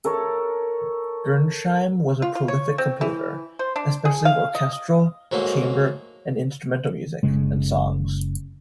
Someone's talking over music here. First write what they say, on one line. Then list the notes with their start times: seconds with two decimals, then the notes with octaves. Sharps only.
Gernsheim was a prolific composer, especially of orchestral, chamber and instrumental music, and songs.
0.05 A4 A#4 C#5 A5
2.22 F4
2.35 F4
2.48 C#5
2.78 C4
3.01 E3
3.59 C5
3.76 D4
4.05 G#4
4.25 F5
4.55 D#5
5.32 G#2 F#3 A3 A#3 D#4
7.23 F#1 C#3 G#3